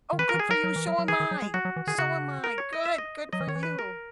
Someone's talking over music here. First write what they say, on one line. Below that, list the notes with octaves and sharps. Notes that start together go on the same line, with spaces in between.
Oh, good for you! So am I! So am I, good! Good for you!
D#3
E3 B4
A#4
E3
G#4
F#3 A#4
F#3
E3
F#3
F#3
E3 G#4
D#3
F#3
G#3
F#3 F#4
F#3
E3
D#3 G#4
C#3 F#4
A#4
C#5
D#5
E5
D#5
F#3 D#5
E3
D#3 C#5
E3
B4
A#4